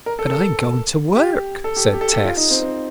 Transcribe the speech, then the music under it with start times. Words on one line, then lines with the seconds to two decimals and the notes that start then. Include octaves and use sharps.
"But I am going to work!" said Tess.
0.06 A#4
0.19 A4
0.31 A4
1.16 G4
1.64 A4
1.77 G4
1.93 G4
2.01 A4
2.13 G4
2.25 F4
2.37 D#4
2.50 C4
2.62 C4